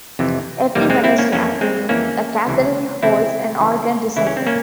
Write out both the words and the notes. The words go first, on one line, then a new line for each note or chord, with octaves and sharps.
Every Wednesday afternoon, the cathedral holds an organ recital.
F2 C3 E3
F2 C3 E3 G3 A#3
G#3 C4
C4 E4
A#3 C#4
F2 E3 A#3 C#4
G#3 C4
F2 E3 A#3 C#4
C#2 C3 E3
C#2 C3 E3 C4 E4
C#2 C#3 E3
C#2 C#3 E3 E4
C#4
C4
A#3 C#4